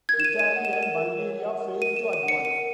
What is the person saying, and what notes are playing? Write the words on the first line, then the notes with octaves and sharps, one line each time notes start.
Italy and Bulgaria failed to advance.
A#4 G#6
E7
D#7
C#5
D#7
F#5
E7
A#4 D#7
E7
A#4
C#5
F#5
A#4
A#4 D#7
E7
C#5
D#7
F#5
C#7
A#4 D#7